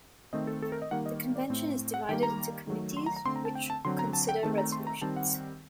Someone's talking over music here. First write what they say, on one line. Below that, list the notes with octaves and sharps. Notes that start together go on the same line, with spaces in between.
The convention is divided into committees which consider resolutions.
D#3 A3 C4 D#5
A4
A4
A#4
D#5
D#3 G3 A#3 F#5
D#5
D5
A2 A3 C4
F#5
D#3 G3 A#3 G5
A#5
D#3 F#3 A3
C6
A#5
A#5
D3 A3 C4 C6
A#5
A5
G5
A5
D3 F#3 C4 C6
A#5
A5
G5
D#3 A3 C4 A5
A#5
C6
A#5
D#3 G3 C4 A5
F#5